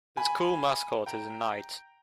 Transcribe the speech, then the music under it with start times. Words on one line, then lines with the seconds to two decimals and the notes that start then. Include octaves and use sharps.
The school mascot is a Knight.
0.17 G#5 B5
1.06 G5 A#5